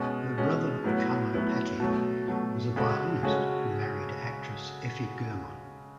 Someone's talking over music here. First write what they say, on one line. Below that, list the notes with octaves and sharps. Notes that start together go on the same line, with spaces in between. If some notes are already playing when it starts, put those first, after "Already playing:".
Her brother Carlo Patti was a violinist who married actress Effie Germon.
Already playing: B2 G#3 C#4
B2 G#3 C#4
A2 F#3 B3 E4
A2 F#3 B3 E4
B2 F#3 A3
B2 F#3 A3
C#3 G#3 C#4 F#4 A4
C#3 G#3 C#4 F#4 A4